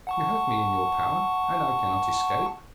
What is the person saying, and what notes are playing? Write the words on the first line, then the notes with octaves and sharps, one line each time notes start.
'You have me in your power, and I cannot escape.
F#5 A5 C#6